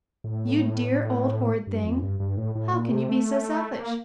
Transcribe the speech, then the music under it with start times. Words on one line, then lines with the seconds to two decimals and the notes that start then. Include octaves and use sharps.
"You dear old horrid thing How can you be so selfish?"
0.24 A2
1.67 G2
1.84 F2
2.02 G2
2.20 G2
2.37 A2
2.55 A2
2.73 A#2
2.91 C3
3.09 A3
3.72 A3
3.79 A#3